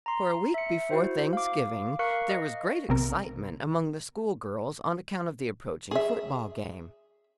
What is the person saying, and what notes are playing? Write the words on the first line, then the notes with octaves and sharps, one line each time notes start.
For a week before Thanksgiving there was great excitement among the schoolgirls on account of the approaching football game.
A#5 C6
E5 C#7
E4 F#4 C5
F5 D6
A#4 F5 C#6 F#6 C#7
D#5
B1 C3 A#4
G#4 E5